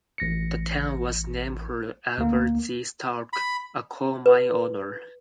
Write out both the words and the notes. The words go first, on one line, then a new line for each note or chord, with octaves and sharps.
The town was named for Albert G. Stark, a coal mine owner.
A1 A#6 C#7
D2 A#3
B5
B4